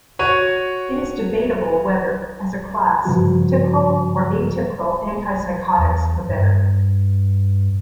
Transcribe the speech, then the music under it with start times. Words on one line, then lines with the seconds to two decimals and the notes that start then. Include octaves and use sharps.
It is debatable whether, as a class, typical or atypical antipsychotics are better.
0.19 F#4 C#5 D#7
3.05 G2 C#3 F3 F#4
5.78 E2
6.29 G2